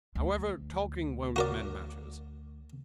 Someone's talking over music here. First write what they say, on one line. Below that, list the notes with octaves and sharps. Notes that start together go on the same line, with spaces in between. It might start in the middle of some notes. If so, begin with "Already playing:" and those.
'However, talking won't mend matters.
D2
F#4 A#4 D5